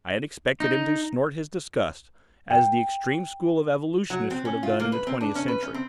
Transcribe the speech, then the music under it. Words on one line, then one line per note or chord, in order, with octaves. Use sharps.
I had expected him to snort his disgust, as the extreme school of evolutionists would have done in the Twentieth Century.
D#4
G5
F#3
C4
C#4
F4
A#3
B4
C4
D4
C#4
B4
C#4
C4